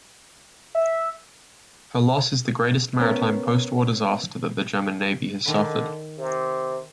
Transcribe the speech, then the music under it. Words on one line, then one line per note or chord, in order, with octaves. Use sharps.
Her loss is the greatest maritime post-war disaster that the German Navy has suffered.
E5
B3 C#4 A#4
D3 D#3 B5
C3